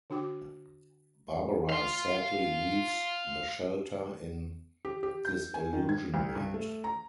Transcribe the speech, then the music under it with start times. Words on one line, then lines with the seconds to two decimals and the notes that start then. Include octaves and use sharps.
Barbara sadly leaves the shelter in disillusionment.
0.10 D3 D4 F#4 G5 D6
1.70 F5 C6
4.85 G4
5.03 G4
5.25 G6
5.54 G#5
5.73 D#3
5.89 G#6
6.14 C2
6.35 G2
6.54 A3
6.84 A#5